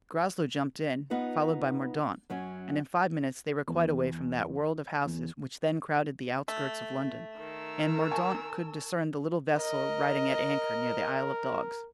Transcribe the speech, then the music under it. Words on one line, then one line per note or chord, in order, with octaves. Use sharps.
Groslow jumped in, followed by Mordaunt, and in five minutes they were quite away from that world of houses which then crowded the outskirts of London; and Mordaunt could discern the little vessel riding at anchor near the Isle of Dogs.
B3 D#4 F4 B4 F#5
F#2 F#3 C#4
E2
E2
A3
D#3 A#4 E6
G#5 A5 C#6
A#4 D#5